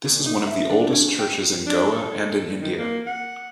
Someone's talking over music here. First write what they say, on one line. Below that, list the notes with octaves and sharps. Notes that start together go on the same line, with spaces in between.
This is one of the oldest churches in Goa and in India.
A#2
D#4
E5
D4
C#4
G5
D4
A4
D#3
A#3
F#5